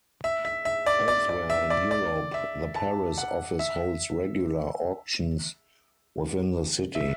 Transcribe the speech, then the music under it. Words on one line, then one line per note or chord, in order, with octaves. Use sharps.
Elsewhere in Europe, the Paris office holds regular auctions within the city.
E5
E5
E5
D5
D5
D5
E5
D5
D5
E5
A5
F#5
E5
E5